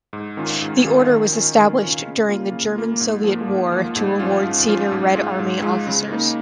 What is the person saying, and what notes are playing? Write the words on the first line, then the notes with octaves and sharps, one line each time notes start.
The Order was established during the German-Soviet War to reward senior Red Army officers.
G#2
D#3 C#4 F4
G#2
D#3 C#4 F4
D#3
C#4 F4
D#3
C#4 F4
C#3
A#3 F4
C#3
A#3 F4
G#2
F3 A#3
G#2
F3 A#3
G#2
F3 C#4 F4
G#2
F3 C#4 F4
G#2
G#3 F4
G#2
G#3 F4
C#3
A#3 D#4